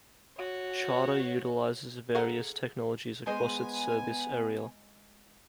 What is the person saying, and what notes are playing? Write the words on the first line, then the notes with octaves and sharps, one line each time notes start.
Charter utilizes various technologies across its service area.
F#4 C#5
G#4 A4 F5 F#5 A#5
G#3 B3 C5 D#5 G#5